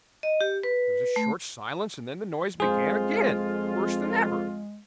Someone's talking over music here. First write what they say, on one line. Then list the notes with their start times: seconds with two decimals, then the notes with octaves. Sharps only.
There was a short silence, and then the noise began again, worse than ever.
0.23 D#5
0.41 G4
0.63 B4
1.16 A3
2.60 F2 G#3 F4 G#4 C5